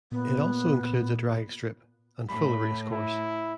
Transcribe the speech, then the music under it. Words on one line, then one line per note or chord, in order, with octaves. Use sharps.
It also includes a drag strip and full race course.
A#2 B3
A2 B5
E4